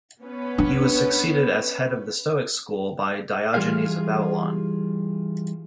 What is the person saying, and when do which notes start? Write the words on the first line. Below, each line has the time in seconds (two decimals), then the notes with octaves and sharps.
He was succeeded as head of the Stoic school by Diogenes of Babylon.
0.23 B3 C#4 B4
0.58 D4
3.54 E3 G3 F4 G#4 F5